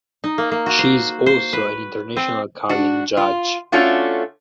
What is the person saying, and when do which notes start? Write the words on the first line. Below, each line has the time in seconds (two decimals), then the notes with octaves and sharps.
She is also an international curling judge.
0.24 D#4
0.38 A#3
0.51 A#3
0.66 F#4
0.79 C5
1.26 C5
1.53 B4
2.16 C4
2.69 D4 F#4
3.17 F4
3.72 A3 C#4 D4 F4 F#4